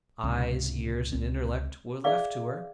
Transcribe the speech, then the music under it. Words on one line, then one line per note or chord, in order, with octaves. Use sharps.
Eyes, ears, and intellect were left to her.
C#2 G#2 C3
C#2 C4
G#4 D5 E5 F5 D6